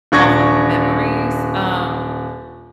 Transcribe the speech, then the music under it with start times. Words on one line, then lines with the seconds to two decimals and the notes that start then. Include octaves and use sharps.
off of memories, um,
0.12 D#1 D4 C#6 G#6 A#6